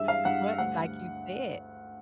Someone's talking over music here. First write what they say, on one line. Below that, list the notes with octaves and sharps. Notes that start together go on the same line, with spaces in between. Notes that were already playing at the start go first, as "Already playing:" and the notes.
But like you said,
Already playing: G2 G#3 E5
F5
G2 F#5
D2 F#5